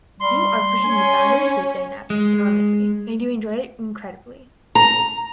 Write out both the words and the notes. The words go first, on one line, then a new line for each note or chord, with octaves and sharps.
You are pushing the boundaries with Zeynep enormously and you enjoy it incredibly.
G3 C6
C#4 G#5
G#3
A#5